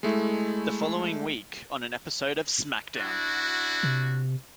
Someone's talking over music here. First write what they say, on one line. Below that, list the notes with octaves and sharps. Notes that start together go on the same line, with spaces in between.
The following week on an episode of SmackDown!
G#3 A3 E4
D4 E4 F#4
C3